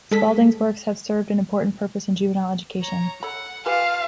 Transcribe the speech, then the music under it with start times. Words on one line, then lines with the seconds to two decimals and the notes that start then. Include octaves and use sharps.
Spaulding's works have served an important purpose in juvenile education.
0.11 G#3 A4 B6
2.81 C#5 A#5
3.23 A4 C#5 F#5 B5
3.66 F4 G4 B4 F5 G#5 A5